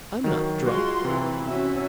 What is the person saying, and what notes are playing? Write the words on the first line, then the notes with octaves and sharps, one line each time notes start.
I'm not drunk.
D#3 F#3
G#3 F4 F#4 C6
C3 E3
C#4 F#4 E5